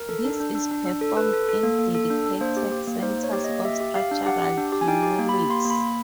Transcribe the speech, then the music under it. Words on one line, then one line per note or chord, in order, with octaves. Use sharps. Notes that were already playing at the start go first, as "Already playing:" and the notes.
This is performed in dedicated centers of structural genomics.
Already playing: A#4
A4
D4
D4
D4
D4
D4
A4
A4 B4
A4
A4
A#3
A#3
A4
D4
D4
A#3 C5
G4
G4
A#3
D#4 C5
A#3
C#5
G4
D#5
A#3
G4 E5
G4
G4 F5
D4
G4 F#5
G4
D4
G4
G#5
D#4 G5
G4
A#3
B5
G4
A#3 C6
A#3
B5
A#3